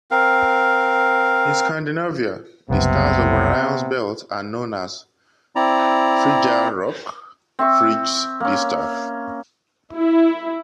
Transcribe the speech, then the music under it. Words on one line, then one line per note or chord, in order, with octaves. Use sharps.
In Scandinavia, the stars of Orion's belt are known as "Friggjar rockr", "Frigg’s distaff".
C4 A#4 F5
F#1 C2 C3 B3
C4 E4 D5 A#5
C4 E5 C#6
A#3 C#4
E4